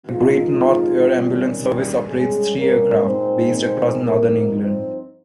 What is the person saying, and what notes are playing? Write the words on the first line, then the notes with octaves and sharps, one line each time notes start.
The Great North Air Ambulance Service operates three aircraft, based across northern England.
F2 D#3 G#3 D#4 F4
D#3 G3 C#4
G3 G4
G2 G3 G#3 C#4 G#4
A#3 A#4
A#2 G#3 C4 D#4 C5
C4 C5
G2 F3 A#3 C4 D#4 A#4
C4 C5